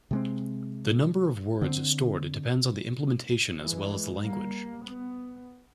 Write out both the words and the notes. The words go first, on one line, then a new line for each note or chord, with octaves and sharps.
The number of words stored depends on the implementation as well as the language.
C3 G#3 C4
D3 C4
E3 G#3
G3 A#3
B3